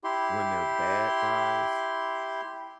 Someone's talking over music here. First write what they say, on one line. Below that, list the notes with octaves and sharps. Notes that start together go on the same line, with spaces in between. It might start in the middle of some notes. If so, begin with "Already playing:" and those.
when they're bad guys,
E4 G4 C6